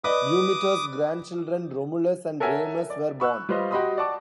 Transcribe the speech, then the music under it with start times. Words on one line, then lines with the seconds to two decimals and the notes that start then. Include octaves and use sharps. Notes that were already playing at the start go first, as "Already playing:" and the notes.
Numitor's grandchildren Romulus and Remus were born.
0.04 B4 D5 D#5 D6 D#6
2.40 A4 A#4 C#5 E5 F#5 G#5
2.90 D5
3.20 B5 C#6 E6 F#6
3.49 G3 F4 B4 C5 D#5
3.71 F#4 G4 D#5 B5 C6 D#6
3.97 D5 F#5 A5 C#6 D6